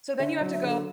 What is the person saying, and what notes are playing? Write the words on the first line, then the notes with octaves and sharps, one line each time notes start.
So then you have to go
D3 E5
F#3
E5
D3
A4